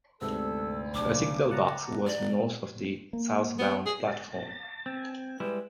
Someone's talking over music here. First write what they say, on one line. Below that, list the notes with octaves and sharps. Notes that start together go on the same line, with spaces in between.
A signal box was north of the southbound platform.
D2 G#2 C3 B3 A4 E6
B1 C#3 D4 D6
F#5 A5 A#5
D5
A#3
B3
G#4
C4
G3 G#3 E4 B4